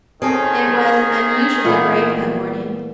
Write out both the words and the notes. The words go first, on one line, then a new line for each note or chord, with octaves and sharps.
It was unusually grave that morning.
D#3 C4 C#4 G#4 A4
A#2 E3 B3